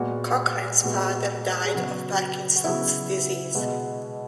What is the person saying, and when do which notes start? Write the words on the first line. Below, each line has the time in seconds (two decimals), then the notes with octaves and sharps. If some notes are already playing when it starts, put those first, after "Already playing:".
Cochrane's father died of Parkinson's disease.
Already playing: A#2 G#3 B3 F#4
0.83 A#2 G#3 B3 F#4
1.65 G#4
1.74 C#3 F#3 B3 F#4
2.56 F#4
2.64 C#3 F#3 B3 E4
3.55 B2 G#3 B3